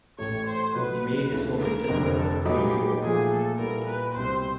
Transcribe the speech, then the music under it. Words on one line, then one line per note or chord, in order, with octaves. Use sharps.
He made his home in Ithaca, New York.
A1 A2 E3 A3 C#5
C5
B2 F#3 B3 D#4 F#4 B4
D2 C#3 E3 A3
A#4
F1 F2 D3
A4
A#2 F#3 B3 D#4 G4
A#2 F3 A3 G#4
A4
A#2 G3 B3 E4 G4 A#4
B4
C2 B2 G3 C4 C5